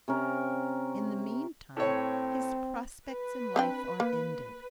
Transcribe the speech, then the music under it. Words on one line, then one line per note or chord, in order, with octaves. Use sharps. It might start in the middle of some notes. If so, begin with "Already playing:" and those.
In the meantime his prospects in life are ended.
C3 C#4 A#4
A2 C4 C#5
B4
C4 D4 G5
A#3